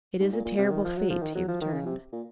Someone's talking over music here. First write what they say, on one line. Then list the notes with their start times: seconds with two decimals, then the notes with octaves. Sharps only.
"It is a terrible fate," he returned.
0.20 G#2
0.33 A#2
0.45 A#2
0.58 C3
0.71 D#3
0.84 F3
0.97 F#3
1.10 F3
1.22 D#3
1.35 F#3
1.48 F3
1.61 D#3
1.74 C#3
1.86 C3
2.12 A#2